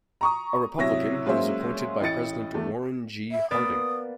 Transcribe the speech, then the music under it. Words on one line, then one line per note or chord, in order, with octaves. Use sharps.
A Republican, he was appointed by President Warren G. Harding.
A#5 C#6 D#6
A2 C3 F#3 C#5 E5 A#6
F#3 G#3 A#3 C#4 C5 E5
A1 A2 D#5 A6 C#7
E2 A3
E5
A#3 B3 D5 D#6